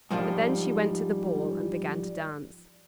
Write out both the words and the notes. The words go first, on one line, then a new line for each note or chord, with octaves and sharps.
But then she went to the ball and began to dance.
G#2 F3 G3 A#3 D4